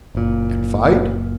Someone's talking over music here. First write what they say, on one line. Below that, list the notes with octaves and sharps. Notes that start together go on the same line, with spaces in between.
"And fight?"
F#1 A#2